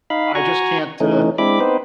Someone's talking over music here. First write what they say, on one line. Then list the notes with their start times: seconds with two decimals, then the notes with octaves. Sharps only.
I just can't, uh,
0.10 D#4 F5 B5
0.35 F#4 G#5 A#5 C#6
1.00 E3 A3 C#4 D#4
1.38 G#3 C4 D4 E4 B5 D6
1.60 B3 C4 D#4 B4 C5